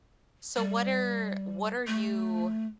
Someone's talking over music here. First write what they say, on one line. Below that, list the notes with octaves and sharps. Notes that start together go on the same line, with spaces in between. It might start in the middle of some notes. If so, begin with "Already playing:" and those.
So, what are what are you
G3
A3